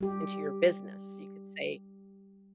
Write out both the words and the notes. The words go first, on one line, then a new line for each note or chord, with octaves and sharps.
into your business. You could say,
G3 G4